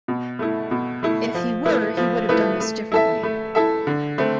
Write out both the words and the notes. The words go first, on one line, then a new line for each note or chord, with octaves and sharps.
If he were, he would have done this differently.
B2
A3 E4
B2
A3 E4
F3
A3 E4 B4
F3
A3 E4 B4
A3
E4 A4 E5
A3
E4 A4 E5
D3
A3 C4